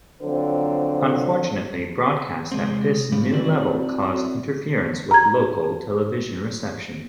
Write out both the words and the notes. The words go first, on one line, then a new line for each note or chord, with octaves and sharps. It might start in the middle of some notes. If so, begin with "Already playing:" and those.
Unfortunately, broadcast at this new level caused interference with local television reception.
D3 F3 F#3 C4 C5
C3 G#3 C4
A2 C#3 G3
C4 E4 F#4 D5
A#5 G#6